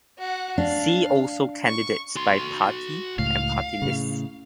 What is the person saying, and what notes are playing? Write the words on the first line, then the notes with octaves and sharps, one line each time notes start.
See also candidates by party and party lists.
F#4 F#5
D4 F5
C#6
F#4 C6
C#2 A2 F5
A2 C#3